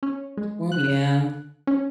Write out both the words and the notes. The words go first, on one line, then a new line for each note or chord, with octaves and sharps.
Well, yeah.
C#4
G#3
F#6
C#4